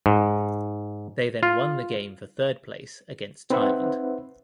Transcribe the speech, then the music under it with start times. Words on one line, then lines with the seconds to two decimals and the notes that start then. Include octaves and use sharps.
They then won the game for third place against Thailand.
0.06 G#2
1.43 F4
3.50 C4 D#4 B4 C5 E5 F#5